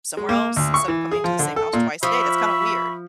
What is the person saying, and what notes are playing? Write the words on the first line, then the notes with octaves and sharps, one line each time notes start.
somewhere else instead of coming to the same house twice a day, that's kinda weird."
G#3
A#3
D2
C#6
E3
G#4
F3
D3
A4
A#2
F3 E5 B5 C#6